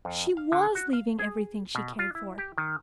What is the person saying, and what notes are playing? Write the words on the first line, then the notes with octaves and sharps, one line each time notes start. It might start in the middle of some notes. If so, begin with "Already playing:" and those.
She WAS leaving everything she cared for.
F2
F5
D3
F#4
F5
G#4
B2
F4
E4
G4
D#3